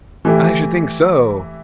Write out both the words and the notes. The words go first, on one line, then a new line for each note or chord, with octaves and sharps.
'I should think so!
E3 A3 E4 G4